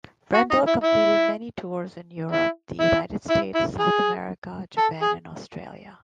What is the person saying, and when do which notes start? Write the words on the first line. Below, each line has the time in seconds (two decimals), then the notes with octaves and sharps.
Brendel completed many tours in Europe, the United States, South America, Japan and Australia.
0.34 F#4
0.51 D#4
0.67 E4
0.84 E4
2.32 E4
2.80 E4
3.30 E4
3.55 E4
3.79 G#4
4.78 A4
5.02 G#4